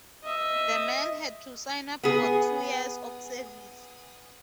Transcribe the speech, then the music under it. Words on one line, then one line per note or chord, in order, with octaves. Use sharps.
The men had to sign up for two years of service.
D#5 E5
B3 G#4